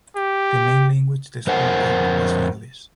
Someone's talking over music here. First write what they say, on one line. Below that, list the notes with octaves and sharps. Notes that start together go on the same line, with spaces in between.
The main language the school taught was English.
G4
F2 A#4 C5 F#5 G#5